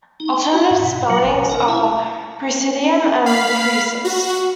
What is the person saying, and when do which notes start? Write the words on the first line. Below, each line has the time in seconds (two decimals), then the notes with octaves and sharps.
Alternative spellings are "presidium" and "preses".
0.20 D#4
0.39 G5
0.54 F#4
0.71 G#2
0.84 B2
1.10 F#3
1.24 A1
1.35 B2
1.50 A#4
1.68 E4
3.26 F5 B5 C7
4.05 F#4